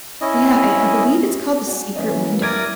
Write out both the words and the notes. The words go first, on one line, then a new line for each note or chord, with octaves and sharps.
Yeah, I I believe it's called The Secret Window.
C#4 E4 D#5
F#4 G#4 D5
E3 A#3 C#4 D#5 E5
E4 A#4 D5 D#6 G#6 D7